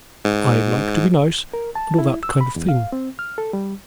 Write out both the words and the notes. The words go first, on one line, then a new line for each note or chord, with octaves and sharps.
I like to be nice, and all that kind of thing.
G#2
A#4
A5
E4
E6
B5
E2
F5
C4
F6
A4
G3